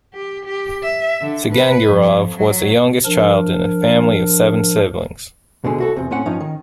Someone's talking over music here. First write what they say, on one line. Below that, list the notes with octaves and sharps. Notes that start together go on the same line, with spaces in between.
Zigangirov was the youngest child in a family of seven siblings.
G4
G4
E5
D3
B4
F2
F#3
F3 D4 A#4
B2 D3 G#3
C2 F#4 A4
E2 C3
A2 C4 C#4 F#5
G2 F3 C#4 D#4
D#3